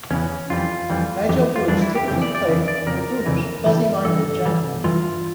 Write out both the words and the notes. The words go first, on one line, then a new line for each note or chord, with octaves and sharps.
Nigel Bruce typically played buffoonish, fuzzy-minded gentlemen.
E2 C#3 E3 C#4
F2 E3 G3 F4
F2 E3 G3
F2 E3 G4
F4
F2 E3 G3 D4
E4
G4
F2 C#3 E3 G4
D5
D5
F2 C#3 E3
D5
F2 C#3 A#4
F2 C#3 E3
G2 E3 G3
G2 E3 A4
G2 E3 G3
G2 E3 F4